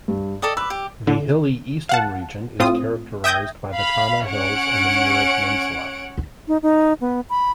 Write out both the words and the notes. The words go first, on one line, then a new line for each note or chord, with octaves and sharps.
The hilly eastern region is characterized by the Tama Hills and Miura Peninsula.
G2
A4 D5 D#5 G5
B4 D6 E6
G4
D3
F5 F#5 A5
A2 C4 F4 D#6
E5 G5 D#6 G6 G#6 A#6
F5 B5
C#4 C#5 F#5 D7
D#4
D#4
B3
B5